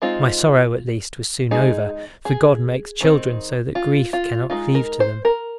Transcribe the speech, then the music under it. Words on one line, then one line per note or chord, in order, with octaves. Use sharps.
My sorrow at least was soon over, for God makes children so that grief cannot cleave to them.
G#3 C4 D#4 F4
G#3 D#4 G#4
G#4
D#3 C4 D#4
F4
F4
G#3 D#4 F4
A#4
C5
A#4